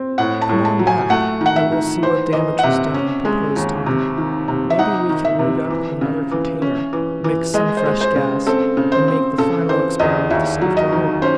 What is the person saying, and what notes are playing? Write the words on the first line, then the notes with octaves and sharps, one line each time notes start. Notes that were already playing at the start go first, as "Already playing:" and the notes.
"Come on back, and we'll see what damage was done," proposed Tom. "Maybe we can rig up another container, mix some fresh gas, and make the final experiment this afternoon."
Already playing: C4
A2 F#5
A5
A2
A5
F#3
G#5
A3 F#5
D#3 F#5
E5
D#3
E3 C5
E3 D#5
F#5
C3 E5
C#4
G#3
D#2
C3
D#3
C3
E5
D#4 F#5
D#3
E5
C3
E3
C#3
E3
C#4
E3
E3
G#3 D#5
C5
G#3
C5
C#3
C4 A4
C#3
C5
C4
C#3 A4
E3 C5
E2 D#5
D#2 E5
F#3
D#5
D#3
C#4 C5